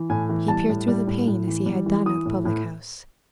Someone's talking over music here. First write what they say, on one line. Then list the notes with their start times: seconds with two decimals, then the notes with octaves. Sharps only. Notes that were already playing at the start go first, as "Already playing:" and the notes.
He peered through the pane as he had done at the public house.
Already playing: E3
0.10 A2 G#5
0.29 E3
0.48 G3 A5
0.69 A2
0.88 G3
1.07 A2
1.27 A2
1.47 E3
1.66 G3
1.86 E3
2.06 E3 D#6
2.25 A2
2.45 A2